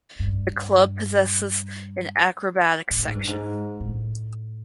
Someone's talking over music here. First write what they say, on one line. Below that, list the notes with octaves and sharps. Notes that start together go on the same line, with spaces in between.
The club possesses an acrobatics section.
G2
A2
G#2
G2
G#2
A2